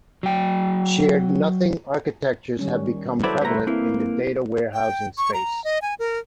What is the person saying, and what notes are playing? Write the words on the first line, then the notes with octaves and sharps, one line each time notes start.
Shared nothing architectures have become prevalent in the data warehousing space.
F#3 G5
D#3 G3 C#4
F#3 E4 A4 B4 C5 D5 B5
C2 A3 E4 B4 A#5
A#3 C4 E4
G5
C#6
A#5
D#5
G#5
A#4